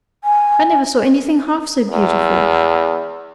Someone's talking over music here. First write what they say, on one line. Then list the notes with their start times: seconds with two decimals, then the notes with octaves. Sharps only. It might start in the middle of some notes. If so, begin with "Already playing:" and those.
I never saw anything half so beautiful!
0.24 G#5
1.91 E2